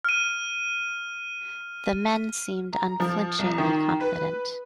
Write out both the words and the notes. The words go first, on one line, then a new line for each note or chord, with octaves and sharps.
The men seemed unflinchingly confident.
F6 D#7
A#5
F3
C2
D#3
B4